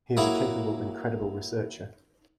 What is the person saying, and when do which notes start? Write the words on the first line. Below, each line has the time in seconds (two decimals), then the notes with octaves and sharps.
He is a capable and credible researcher.
0.17 F#3 A#3 E4 G#4